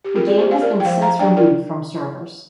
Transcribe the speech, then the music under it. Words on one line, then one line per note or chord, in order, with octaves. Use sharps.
The game has been since removed from servers.
G4
C4 F4 A#4
D5
G4 C5
C4 F5
A#4 D5
G5
F3 C5 F5
F5 A#5
D4 D5 G5
A#4 D5